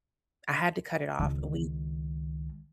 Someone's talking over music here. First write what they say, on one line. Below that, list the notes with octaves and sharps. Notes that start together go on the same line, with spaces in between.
I had to cut it off. We
C#2 D#3